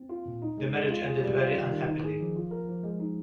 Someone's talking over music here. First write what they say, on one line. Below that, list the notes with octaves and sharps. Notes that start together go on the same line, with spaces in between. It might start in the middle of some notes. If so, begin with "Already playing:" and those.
The marriage ended very unhappily.
Already playing: C4
F4
A#2
D#4
G#3
G#3
F4
G#4
G3
F4
D#3
D#3
D#4
G#4
F3
F4
A#4
F3
G#3
D#4